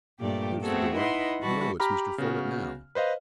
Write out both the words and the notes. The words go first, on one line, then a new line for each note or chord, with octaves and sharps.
There's the door-- Hullo, it's Mr. Folett now.
G2 A#2 A3 G4 D5
A3 B3 C4 F#4 G#4 A4
D#4 E4 B4 D#5 F#5 C6
E3 G3 F#4 A5 B5
G4 A#5 B5 F6
C#3 B3 F#4
B4 C5 D#5 F5